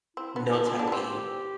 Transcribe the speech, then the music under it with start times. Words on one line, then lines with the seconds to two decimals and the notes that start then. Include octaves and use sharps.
notes had to be
0.17 C4 E4
0.36 B3 D4
0.54 A3 E4
0.67 C4
0.73 F4
0.79 D4
0.87 B3
0.92 C4 G4